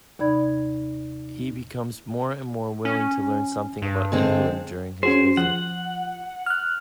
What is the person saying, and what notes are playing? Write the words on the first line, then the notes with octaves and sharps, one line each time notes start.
He becomes more and more willing to learn something about England during his visit.
D#2 C3 D#4 D5 B5 G#6
C#4
G2
D3 G#3 C4
C#4 F#4 G#4 C5
F3 F#5
F6 F#6